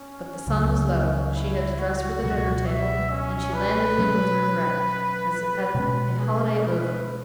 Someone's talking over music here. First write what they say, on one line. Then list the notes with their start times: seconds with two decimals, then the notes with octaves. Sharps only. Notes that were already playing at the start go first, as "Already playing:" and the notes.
But the sun was low, she had to dress for the dinner-table, and she landed him with regret, as at a holiday over.
Already playing: C#4
0.47 C#2 C#3 F#3
1.34 E4
1.79 F#4
2.23 C#2 B2 F#3 F#4
2.67 E5
3.11 C#4
3.54 B4
3.98 B2 F#3 C#4
5.75 B2 G#3 C#4 B4
6.19 G#4
6.63 B4